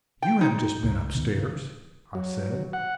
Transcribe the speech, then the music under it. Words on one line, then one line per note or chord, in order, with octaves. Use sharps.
"You have just been up-stairs," I said.
G5
D#4
C#2
D#2 B2 D#3
C#3
F#3
F#5